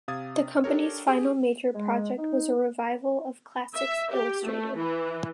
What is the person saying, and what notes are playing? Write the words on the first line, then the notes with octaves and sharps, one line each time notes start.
The company's final major project was a revival of "Classics Illustrated".
C3 F5 D#6 G#6 A6
D4 G4 A4 A#4 C#5
G4 G#4
G#3
D#4
E5
G4
A3
E3